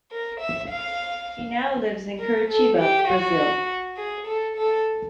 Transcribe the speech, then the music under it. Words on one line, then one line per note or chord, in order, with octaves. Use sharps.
He now lives in Curitiba, Brazil.
A#4
E5
F5
A#4
A4
G4
F#4
G#4
A4
A4